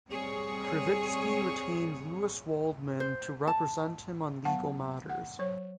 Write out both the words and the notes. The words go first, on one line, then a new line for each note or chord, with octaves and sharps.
Krivitsky retained Louis Waldman to represent him on legal matters.
G3 C4 G#4 C#5
C5
A5
F#3 B3 F5 F#5 A5
F#5
F#3 C#5